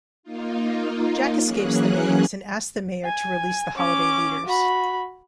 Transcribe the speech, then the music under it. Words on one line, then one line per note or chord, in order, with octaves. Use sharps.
Jack escapes the maze and asks the mayor to release the holiday leaders.
A#3 D#4 F4
E3 F#3 A#3 C#4 G#4 F#6
G#5
C#4 D6
F#4 B5